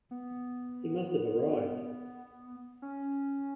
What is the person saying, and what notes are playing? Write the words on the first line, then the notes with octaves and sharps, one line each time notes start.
He must have arrived.
B3
C#4